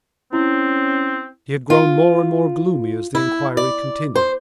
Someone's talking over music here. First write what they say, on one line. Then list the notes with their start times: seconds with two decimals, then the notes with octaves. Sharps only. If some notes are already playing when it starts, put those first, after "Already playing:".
He had grown more and more gloomy as the inquiry continued.
0.33 C4 C#4 E4
1.70 F4
3.15 E4
3.57 D5
4.16 C5